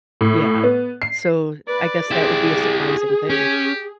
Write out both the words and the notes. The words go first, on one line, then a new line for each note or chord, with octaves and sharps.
Yeah, so I guess that would be a surprising thing.
A2
B3
C7
B4 D5
E4 G4 G#4
C#4 G4